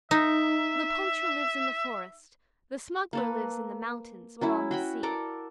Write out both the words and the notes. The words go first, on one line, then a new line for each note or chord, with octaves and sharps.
The poacher lives in the forest, the smuggler lives in the mountains or on the sea.
D#4 E5
A#3 A4 B4
F#3 C#4 E4
F#4 G5 B5
A4 A#4 D5 A#5